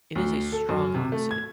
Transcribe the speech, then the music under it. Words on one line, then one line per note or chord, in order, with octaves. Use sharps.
It is a strong oxidant.
D2
A4
F#2
C3
A3
G#6